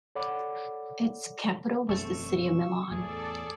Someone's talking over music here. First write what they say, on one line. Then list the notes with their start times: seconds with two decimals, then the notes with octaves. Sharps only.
Its capital was the city of Milan.
0.15 A4 C#5 D5 F#5 B5 D6
1.89 E1 F#2 A3 C4 C#6 E6
2.91 E2 A2 G#4 A4 D5